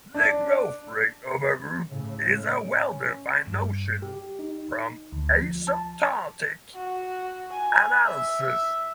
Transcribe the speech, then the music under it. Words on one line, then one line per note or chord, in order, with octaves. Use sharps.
The growth rate of a group is a well-defined notion from asymptotic analysis.
D4
A2 C#3
C#4
G2
G4
D#4
D2
F3
A5
F#4
G#5
E5